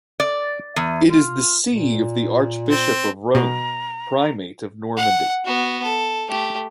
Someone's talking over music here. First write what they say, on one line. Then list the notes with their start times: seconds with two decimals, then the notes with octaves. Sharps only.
It is the see of the Archbishop of Rouen, Primate of Normandy.
0.20 D5
0.76 E2
1.09 F4
1.68 A#2
2.69 C4
3.35 B2 A#5
4.97 F#5
5.45 B3 F#4
5.84 A4
6.29 A3 G4